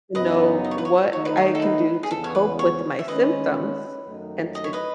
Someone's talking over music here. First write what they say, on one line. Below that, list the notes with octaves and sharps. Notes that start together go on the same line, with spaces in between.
you know, what c I can do to cope with my symptoms and to
F#2 C#3 F#3 B3 D#4 B4 D#5
D#5
C#5
B4
C#5
D#3 A3 D#4 C#5
B4
C#5
A4
B4
G#4
E2 C#3 E3 B3 A4
C#5
B4
C#5
E5
D#3 G#3 C#4 B4 D#5
F#2 D#3 F#3 A3 D#4
D#5
C#5
B4 D#5